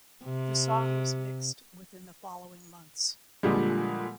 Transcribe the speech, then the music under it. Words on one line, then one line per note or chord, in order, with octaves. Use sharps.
The song was mixed within the following months.
C3
A#2 D3 F3 G3 G#3